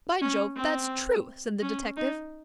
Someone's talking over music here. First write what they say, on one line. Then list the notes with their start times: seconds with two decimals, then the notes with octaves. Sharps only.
"By Jove! that's true," said the detective.
0.22 C#4
0.56 C4
1.62 C#4
1.97 D#4